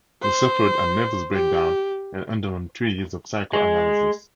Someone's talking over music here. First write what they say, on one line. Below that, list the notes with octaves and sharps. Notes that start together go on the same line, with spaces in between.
He suffered a nervous breakdown and underwent three years of psychoanalysis.
C5
G4
G#3